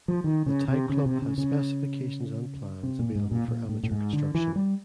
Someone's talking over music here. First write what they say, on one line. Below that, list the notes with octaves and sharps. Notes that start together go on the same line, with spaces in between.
The type club has specifications and plans available for amateur construction.
F3
D#3
C#3
C3
C#3
C3
C#3
C#3
C3
A#2
G#2
A#2
A#2
A2
A2
G#2
D3
E3
G3